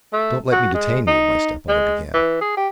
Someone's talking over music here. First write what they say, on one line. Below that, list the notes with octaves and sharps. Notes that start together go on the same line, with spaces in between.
"Don't let me detain you," my stepmother began.
A3
F#4
G#3
D#4
G#3
E3
G#4
G4